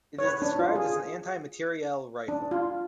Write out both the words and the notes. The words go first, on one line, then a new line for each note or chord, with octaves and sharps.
It is described as an anti-materiel rifle.
C#5
B4
D4
F4
G#4
D4
F4